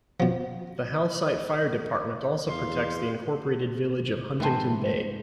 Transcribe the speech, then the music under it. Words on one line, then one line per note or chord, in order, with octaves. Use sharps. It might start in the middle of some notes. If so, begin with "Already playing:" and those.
The Halesite Fire Department also protects the incorporated village of Huntington Bay.
B2 F3
E2 F5 C6
G#2 E3 A3 C5 D#5 G5 A5